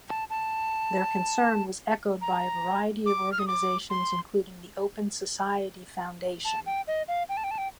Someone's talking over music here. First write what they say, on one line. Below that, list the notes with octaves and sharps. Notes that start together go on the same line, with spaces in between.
Their concern was echoed by a variety of organizations including the Open Society Foundation.
A5
A5
A#5
D6
F6
D#6
D6
C6
A5
G5
D#5
F5
G5
A5
G5
A5
G5